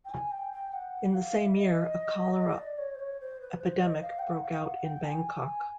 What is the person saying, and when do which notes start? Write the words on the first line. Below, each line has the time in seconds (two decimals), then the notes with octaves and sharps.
In the same year, a cholera epidemic broke out in Bangkok.
0.05 G5
0.11 G#5
0.31 G5
0.52 G5
0.73 F#5
0.94 F#5
1.15 F5
1.35 E5
1.55 D#5
2.58 D5
2.78 C#5
2.95 C5
2.99 C#5
3.20 C5
3.41 B4
3.61 C5
3.82 D#5
4.01 F5
4.19 G5
4.22 F#5
4.43 F5
4.64 F#5
4.84 G5
5.04 G#5
5.45 G#5